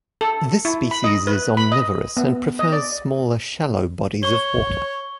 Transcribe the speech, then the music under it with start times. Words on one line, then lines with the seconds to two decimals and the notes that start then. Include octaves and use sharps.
This species is omnivorous and prefers smaller shallow bodies of water.
0.21 A4
0.65 E4
0.91 B5
1.04 D#5
1.27 B4
1.57 B5
1.72 D#5
2.17 B3
2.59 D#5
2.72 D5
4.23 C#5 C#6 G7